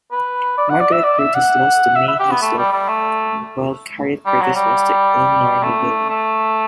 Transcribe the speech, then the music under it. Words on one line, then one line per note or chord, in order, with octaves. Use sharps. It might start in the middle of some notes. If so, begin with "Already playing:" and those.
Margaret Curtis lost to May Hezlet while Harriot Curtis lost to Elinor Neville.
B4
D5
F#5
D5
E5
D5
E5
F#5
E5
E5
G4
B3
A3
G3
G3
A3
G3
F#3
G3
A3
A3